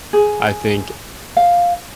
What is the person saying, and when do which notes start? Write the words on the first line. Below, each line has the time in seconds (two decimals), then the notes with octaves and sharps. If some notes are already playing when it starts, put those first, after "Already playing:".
I think,
0.13 G#4
1.37 F5